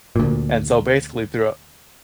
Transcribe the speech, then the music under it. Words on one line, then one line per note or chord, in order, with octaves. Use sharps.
And so basically throughou
D2 A#2